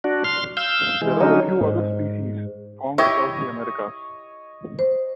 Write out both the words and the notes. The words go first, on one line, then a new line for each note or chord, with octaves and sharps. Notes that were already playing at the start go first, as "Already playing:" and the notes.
There are a few other species found across the Americas.
D4 F#4
C6 F6
F5 E6 G6
E3 G#3
D3 F#3 C#4 D#4
G#2
E4 G4 C#5 D#5 G5
C5